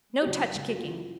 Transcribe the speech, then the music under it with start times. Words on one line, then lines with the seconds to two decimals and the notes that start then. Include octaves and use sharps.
No touch kicking.
0.22 G4
0.25 F#1 F#4
0.55 F#1
0.68 F#4
0.78 C#3 F4
0.90 E4
1.00 F4